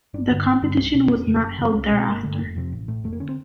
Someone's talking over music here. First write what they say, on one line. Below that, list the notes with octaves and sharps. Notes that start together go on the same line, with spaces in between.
The competition was not held thereafter.
G1 D4
G2 D3
G#1
G2 D3
C2 C#4
B2 C#4
F1 C#4
F2 C#3
F#1
F#2 C#3
C4
C2 C#4
C#4
B2
C4
G1 A#3
G2 D3 A3
F1
F2 C3
A1
A2
F1 A3
A#3
D3 C#4
C4